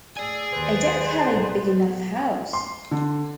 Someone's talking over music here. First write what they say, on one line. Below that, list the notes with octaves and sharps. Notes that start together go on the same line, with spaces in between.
I don't have a big enough house!
A2 G#4 D5 G#5 E6
D#2 B4 C5
B1 A2
C6
D3